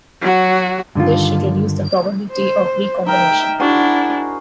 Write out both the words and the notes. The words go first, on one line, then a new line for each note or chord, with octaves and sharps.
This should reduce the probability of recombination.
F#3 F#4
G2 D3 D#3 F4
C5
D#4 A#4 E5 G5
D4 E4 F#4 G#4 C5